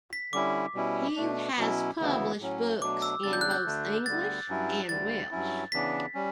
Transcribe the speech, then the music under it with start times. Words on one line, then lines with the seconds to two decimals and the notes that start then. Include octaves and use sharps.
He has published books in both English and Welsh.
0.13 B6
0.33 D3 G3 C#4 E4 D6
0.75 B2 G3 C#4 E4
1.16 B2 A3 D4
1.57 B2 F#3 C#4 E4
1.99 D2 C#3 E3 B3 E4
2.40 A2 F#3 C#4
2.82 B2 F#3 A3 D4 D6
3.02 E6
3.23 E2 C#3 G3 D4 A6
3.33 G6
3.41 F#6
3.51 G6
3.65 D2 D3 A3 D4
4.06 D2 D3 G3 B3 A6
4.48 G2 F#3 C#4 E4
4.89 D2 D3 G3 A6
5.31 G2 F#3 C#4 E4
5.72 C#3 E3 B3 D4 B6
6.15 G3 C#4